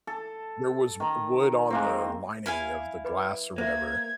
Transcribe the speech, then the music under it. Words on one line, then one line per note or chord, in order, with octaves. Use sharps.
there was w wood on the lining of the glass or whatever,
A4
D#3 A#5
G#3 A#3 C4
E4 F5 G#5
B4 B5 D6
A#3 C5 E5 G#6